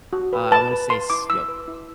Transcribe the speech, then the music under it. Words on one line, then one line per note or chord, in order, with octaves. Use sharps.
uh, I wanna say, s you know,
F#4
B4
B4 A5
B4
B4 C6
E4 D6
E4 E6
B4
E4